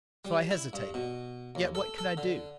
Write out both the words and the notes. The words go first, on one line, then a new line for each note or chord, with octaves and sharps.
So I hesitated, yet what could I do?
G3
E4
G2
B2
D#2
A4
A4
D3